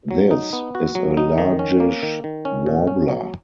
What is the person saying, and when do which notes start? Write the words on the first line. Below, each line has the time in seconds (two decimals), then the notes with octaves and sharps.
This is a largish warbler.
0.11 F#3
0.31 D#4
0.53 B3
0.75 F#4
0.95 F#3
1.17 D#4
1.38 D#3
1.59 C#4
1.80 A#3
2.03 D#3
2.24 D#3
2.45 C#4
2.66 A#2
2.87 C#4
3.09 F#3